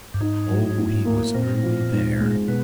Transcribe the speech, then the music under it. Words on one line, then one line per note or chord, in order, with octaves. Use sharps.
Oh, he was early there.
G2
G#2 D#4
F#3
A2
A#3
A#2 C4
F3
G#2
G#3
B2 B3